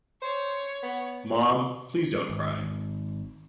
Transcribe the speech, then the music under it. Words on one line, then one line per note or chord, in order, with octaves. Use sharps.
Mom, please don’t cry.
C5 C#5
B3
G#1